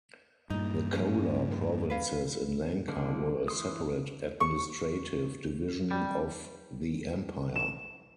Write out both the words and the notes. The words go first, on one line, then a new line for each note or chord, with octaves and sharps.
The Chola provinces in Lanka were a separate administrative division of the empire.
G2 A#2 D#4
F3 C#4
B4 F5
D3 G3 G#3 A#3
E3 C6 D#6
C#6
G3
E7